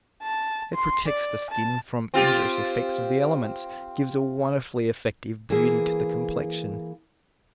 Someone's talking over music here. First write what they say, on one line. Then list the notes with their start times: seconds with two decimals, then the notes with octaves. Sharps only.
It protects the skin from injurious effects of the elements, gives a wonderfully effective beauty to the complexion.
0.23 A5
0.74 C6
1.08 D5
1.50 A5
2.14 C4 F4 G4
5.50 E3 A#3 G#4